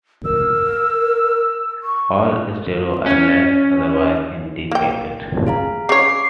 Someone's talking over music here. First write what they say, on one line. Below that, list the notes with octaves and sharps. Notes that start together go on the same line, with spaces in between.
All stereo unless otherwise indicated.
A#4 E6
C#6
C#4
A#3 G5
G#4 F5 A#5
C#3 C#5 D6 C7